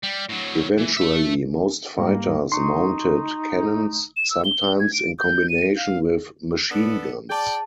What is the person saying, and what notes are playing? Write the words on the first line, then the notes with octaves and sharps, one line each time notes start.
Eventually, most fighters mounted cannons, sometimes in combination with machine guns.
G3
A2 F#3
E3
A4 E5
G#2 G3 A#3
D#4 C6 C#6
E7
E6
G7
G#6
D7
G6
D#7
F5
B3 D4 A4
G#4 D5 G5 A5